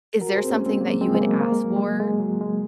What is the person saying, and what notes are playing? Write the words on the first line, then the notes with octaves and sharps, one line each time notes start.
is there something that you would ask for,
F#4 A#4
G#4 C5
C4
A#3 C#4
G#3 C4
F#3 A#3
G#3 C4
G#3
F#3 A#3
A#3
G#3
F#3
G#3
G#3
F#3
G#3